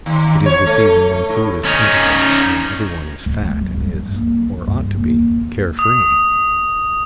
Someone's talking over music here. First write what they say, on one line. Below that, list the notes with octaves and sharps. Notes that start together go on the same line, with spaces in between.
It is the season when food is plentiful, and every one is fat and is, or ought to be, care free.
D#2
C#5
A3
A2
C#4 D#4
D1
G#3
F#3
G2
A#3
A1
G2
D#2
D#6